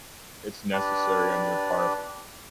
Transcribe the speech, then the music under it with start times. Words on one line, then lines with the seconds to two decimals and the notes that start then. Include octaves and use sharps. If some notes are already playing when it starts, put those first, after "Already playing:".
it's necessary on your part?
0.73 D4 G4 B4 D5